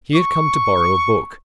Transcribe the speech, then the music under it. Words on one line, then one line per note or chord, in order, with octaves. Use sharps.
He had come to borrow a book.
C#6